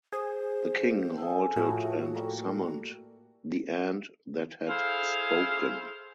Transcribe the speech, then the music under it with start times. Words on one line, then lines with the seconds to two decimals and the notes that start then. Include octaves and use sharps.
The king halted and summoned the ant that had spoken.
0.12 G#4 C5
1.17 G#4 A4
1.56 A2 F3 F#4
2.15 G3 A3 A#3
4.68 E4 G#4 A4 C5 F5